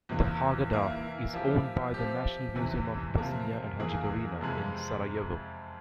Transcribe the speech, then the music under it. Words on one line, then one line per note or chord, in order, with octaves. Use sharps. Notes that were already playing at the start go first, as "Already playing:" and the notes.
The Haggadah is owned by the National Museum of Bosnia and Herzegovina in Sarajevo.
E2 C3 E3 A#3
E3 A#3 E4
F3 A#3 E4 G4
F3 C4 G4
E2 C3 E3
C3 F3 A#3
E2 E3 A#3 F4 G#4
F2 C3 F3 G#3